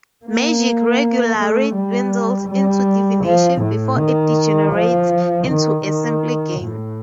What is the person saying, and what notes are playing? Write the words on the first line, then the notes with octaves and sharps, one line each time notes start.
Magic regularly dwindles into divination before it degenerates into a simple game.
A#3
A3
G3
G3
F3
A2
D#3
F3
D#3
D#3
A2